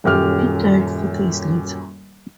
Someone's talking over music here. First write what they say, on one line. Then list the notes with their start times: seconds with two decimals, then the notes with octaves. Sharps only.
He died four days later.
0.04 D#1 F#2 G4 F6